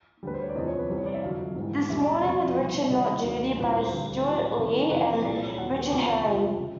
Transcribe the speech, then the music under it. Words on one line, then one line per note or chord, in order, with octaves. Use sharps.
"This Morning With Richard Not Judy" by Stewart Lee and Richard Herring.
D2 D3 G3 B4
C5
C#5
D5
E2 C3 F3 D#5
C#5
B4
C2 C3 E3 G3 C5
C#5
D5
E5
F2 D3 F#3 F5
G#2 E3 G3
E2 B2 G3 E5
D5
D5
F2 C3 F3 D5
C2 B2 G3
E5
C2 C3 D#3 G3 D#5
D#2 D#3 F#3
C2 A#2 G3 B4
C5
B4
C5
D2 D3 G3
A2 F#3
C2 C3 D#3
F2 C3 E3 B4
C2 A#2 G3 D5
D5
C#5
D#2 D#3 F#3 F#5
G#5
D2 C3 F3 G5
F2 C3 F3
C#3 F3